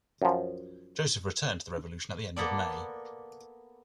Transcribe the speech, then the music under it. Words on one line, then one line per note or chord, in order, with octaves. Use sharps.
Joseph returned to the Revolution at the end of May.
F#2 F3
A#3 B3 A4 D5